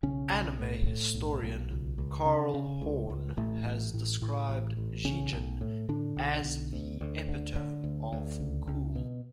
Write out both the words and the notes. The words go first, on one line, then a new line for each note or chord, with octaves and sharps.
Anime historian Carl Horn has described Jigen as "The epitome of cool".
B1 C#3 C#4
B1
A2
A2
B1
B1
C#2
C#2
C#3
C#3
C#2
C#2
A1 A2 A3
A1
A2
A2
A1
A1
B1 C#3 C#4
B1
A2
A2 D3 D4
B1
B1
D2
D2
D3
D3
D2
D2
C#2
C#2
B2